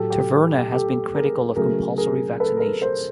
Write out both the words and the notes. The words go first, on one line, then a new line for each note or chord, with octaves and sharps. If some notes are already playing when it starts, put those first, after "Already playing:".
Taverna has been critical of compulsory vaccinations.
Already playing: A2 F#3 A3 G4 A4
G4
G4
G4 A4
G#4 A#4
C#3 F#3 A3 G#4 A#4
G#4 A#4
A4 B4
A#4
A4 B4
A#4 C5